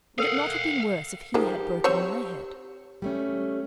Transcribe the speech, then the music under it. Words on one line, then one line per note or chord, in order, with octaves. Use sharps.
Would it not have been worse if he had broken my head?
A4 A#4 F5 F#5
D#3 F3 G#3 G4
C4 C5 C#5
G3 A3 C#4